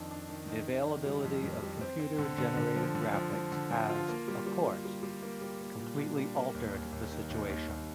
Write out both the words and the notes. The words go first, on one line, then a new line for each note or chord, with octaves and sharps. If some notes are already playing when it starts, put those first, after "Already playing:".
The availability of computer-generated graphics has, of course, completely altered the situation.
Already playing: F2 D#3 D4
D4
D#3
D#3
D#3
D#3
G3
F2
F2
G3
C4
C4
D3
D3
D3
F3
D3
F3
F3
D3
F3
F4
A#3
G3
G3
G3
G3
G3
A#3
G3
A#3
A#2
D4
G3
A#3
D#2
D#2
D#2
D#3
D#2
D#2
D#2